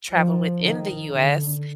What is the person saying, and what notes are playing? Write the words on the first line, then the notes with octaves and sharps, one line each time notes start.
traveled within the US,
F3
D#3
D3